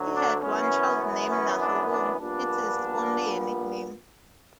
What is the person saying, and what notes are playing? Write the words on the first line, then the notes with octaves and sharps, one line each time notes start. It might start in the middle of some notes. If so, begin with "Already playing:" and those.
He had one child named "Nahalum", it is only a nickname.
Already playing: D2 D3 F#3
D4
F#2 E3 B3 C#4
C#4
D4
D4
A#1 A#2 G3 B3 D4